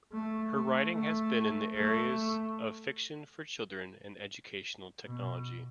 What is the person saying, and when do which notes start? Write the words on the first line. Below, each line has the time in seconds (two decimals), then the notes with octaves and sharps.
Her writing has been in the areas of fiction for children and educational technology.
0.12 A3
0.53 A3
0.95 A3
1.77 A3
5.05 B2